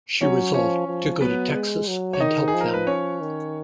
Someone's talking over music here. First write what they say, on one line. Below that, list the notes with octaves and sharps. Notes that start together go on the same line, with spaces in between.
She resolved to go to Texas, and help them.
F#3 C#4 C#5
F3 C#4 C#5
F3
F#3 B3 B4
G#3
F#3
C#5
D#3 D#4 D#5
G#4
F3
A#4
B4
C#4 C#5
D#3